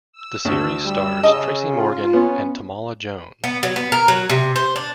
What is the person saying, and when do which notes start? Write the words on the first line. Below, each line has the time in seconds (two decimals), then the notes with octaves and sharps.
The series stars Tracy Morgan and Tamala Jones.
0.13 E6
0.45 D2
0.85 G3
1.23 C#3 D#5
1.68 F4
2.13 B3 C#4
3.44 B3
3.63 F#3
3.76 B3
3.92 A#4
4.08 F#3
4.30 C3
4.56 C5
4.76 D4